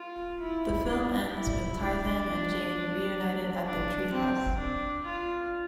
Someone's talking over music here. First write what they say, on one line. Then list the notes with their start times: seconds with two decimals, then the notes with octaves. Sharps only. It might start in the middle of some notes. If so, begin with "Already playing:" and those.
The film ends with Tarzan and Jane reunited at their tree house.
Already playing: F4
0.40 E4
0.86 D4
1.34 E4
1.80 D4
3.65 D4
4.12 C4
4.59 D4
5.05 F4